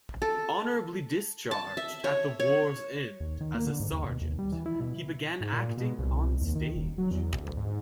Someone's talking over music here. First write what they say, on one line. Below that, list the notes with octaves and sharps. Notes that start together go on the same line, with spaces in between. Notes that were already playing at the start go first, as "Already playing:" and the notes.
Honorably discharged at the war's end as a sergeant, he began acting on stage.
A4
A5
E5
C#5
C#5
D#2
D#3
A#3
D3
G#2
D#2
B2
D#2
G3
E3
E4
B2
G#2
A#2
B2
C2
D#2
D#3
D#1
F#3
E2
D2
G#2